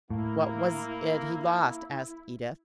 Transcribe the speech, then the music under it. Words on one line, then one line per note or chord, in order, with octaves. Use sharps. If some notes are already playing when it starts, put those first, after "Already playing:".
"What was it he lost?" asked Edith.
A2 A#3 E4